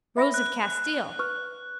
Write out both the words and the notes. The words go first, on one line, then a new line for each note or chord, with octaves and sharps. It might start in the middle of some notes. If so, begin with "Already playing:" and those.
Rose of Castile.
E5 B5 A#6
F#6
B4 C#6 F6